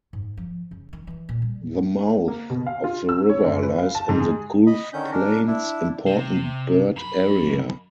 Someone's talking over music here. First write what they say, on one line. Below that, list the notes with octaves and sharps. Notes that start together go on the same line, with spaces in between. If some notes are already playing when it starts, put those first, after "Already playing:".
The mouth of the river lies in the Gulf Plains Important Bird Area.
G#2
F3
C#3
D#3
E3
A#2
G3
A#3
B2
F5
F4
E6
C#5
F#2
B4
F5
A5
G#2
G#4
D#5 B5
D3 D#3 C#4 G6
D4 A#4
D4 E4
C3
F#2 B5